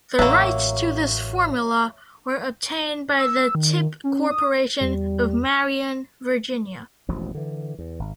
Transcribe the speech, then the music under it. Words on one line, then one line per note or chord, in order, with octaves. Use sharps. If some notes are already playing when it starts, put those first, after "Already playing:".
The rights to this formula were obtained by the Tip Corporation of Marion, Virginia.
A1 F#3 A#3 C#5 E5
E6
D#3
C#4
D#6
E2 G3
E1 A1 B2 F3
D3 E3
E2
G#1